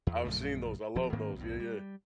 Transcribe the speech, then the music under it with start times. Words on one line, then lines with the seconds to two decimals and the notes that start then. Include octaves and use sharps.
I've seen those, I love those yeah, yeah.
0.07 E2
0.24 A#1 F#2 C#3 A3
0.95 D#1 F3 C4
1.13 G#2 D#3 A#3 C4
1.36 B1 E2 A2
1.60 G3